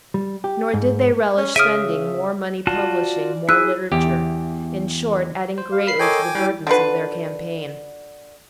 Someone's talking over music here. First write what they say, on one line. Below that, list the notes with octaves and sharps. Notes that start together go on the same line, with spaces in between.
Nor did they relish spending more money publishing more literature, in short, adding greatly to the burdens of their campaign.
G3
G4
G#2
C#4
C#3 E5 D#6 F6 D7 D#7
F4 F#4 D5 A5
E4 G#4 E6 F#6
E2 G4
C5
G4 F5
A#4 B5 C7
A4 C#5 D#5 G5 G#5 D6
G3 E4 G4
D3 F#3 F4 B4